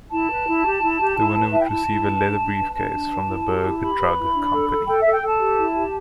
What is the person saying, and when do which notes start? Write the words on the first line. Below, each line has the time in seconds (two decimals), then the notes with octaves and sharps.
The winner would receive a leather briefcase from the Berg Drug Company.
0.11 E4 A5
0.29 B4
0.47 E4
0.64 G4
0.82 E4
1.00 G4
1.17 E4
1.35 B4
1.52 E4 E5
1.61 G5
1.70 E4 A5
1.87 E4
2.05 B4
2.22 D4
2.41 D4
2.58 B4
2.75 D4 A5
2.93 D4
3.11 B4
3.28 E4
3.46 G4
3.63 E4
3.81 G4 B5
3.98 B4
4.16 E4
4.34 D4
4.51 A4
4.69 A4
4.86 A4 G5
5.00 A4 E5
5.13 G5
5.21 A4 A5
5.39 G4
5.57 E4
5.75 G4